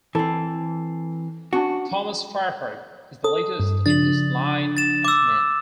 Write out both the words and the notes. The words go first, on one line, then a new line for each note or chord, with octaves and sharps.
Thomas Fireheart is the latest in this line of men.
E3 C4 A4
C#4 D4 F#4
A4 D#6
G2
C#3 F3 D4 A6 F#7
A6 E7
D6 E6